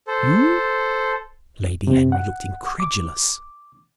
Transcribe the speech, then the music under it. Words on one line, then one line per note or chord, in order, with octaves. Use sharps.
"You?" Lady Henry looked incredulous.
A4 C5
C3
F#5
D6